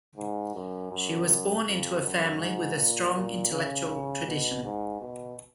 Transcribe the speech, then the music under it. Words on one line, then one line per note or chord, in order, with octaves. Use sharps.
She was born into a family with a strong intellectual tradition.
G#2
F#2
F#2
F2
F#2
G#2
A#2
A#2
C#3
C#3
B2
G#2
B2